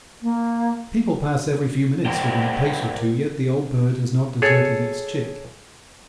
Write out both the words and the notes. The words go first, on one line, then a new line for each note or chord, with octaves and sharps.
People pass every few minutes within a pace or two, yet the old bird has not deserted its chick.
A#3
A#4 C5 D5 F#5 G5
G#4 A4 C#5